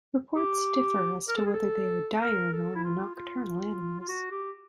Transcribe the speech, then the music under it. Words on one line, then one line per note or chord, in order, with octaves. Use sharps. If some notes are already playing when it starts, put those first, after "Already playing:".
Reports differ as to whether they are diurnal or nocturnal animals.
G4
A#4
A4
G#4
A4
A#4
A4
E4
F4
F4
F4
F#4
G4